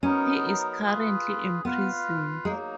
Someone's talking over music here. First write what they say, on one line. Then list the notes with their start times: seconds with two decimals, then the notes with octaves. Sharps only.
He is currently imprisoned.
0.02 F#3 B3 C#4 D#4 A#4
0.83 F4 G#4 B4
1.65 B3 F4 B4 F5
2.45 G#3 D#4
2.48 F#3 A#3